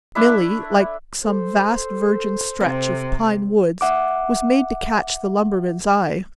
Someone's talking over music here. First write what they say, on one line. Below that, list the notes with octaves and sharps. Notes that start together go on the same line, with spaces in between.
Milly, like some vast virgin stretch of pine woods, was made to catch the lumberman's eye.
A3 D4 E4 E5
A4 C5
C3 C4
E5 F#5 D6